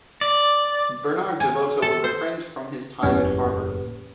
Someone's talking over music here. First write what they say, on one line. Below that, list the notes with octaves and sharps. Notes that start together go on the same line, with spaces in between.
Bernard DeVoto was a friend from his time at Harvard.
D5
G#5
A4
C5
F#1 E2 A2 A#3 C#4 G4 B4